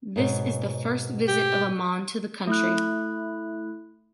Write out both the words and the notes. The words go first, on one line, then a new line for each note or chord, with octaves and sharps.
This is the first visit of Amon to the country.
G#2 B2 C#5
G4
A3 E4 F#6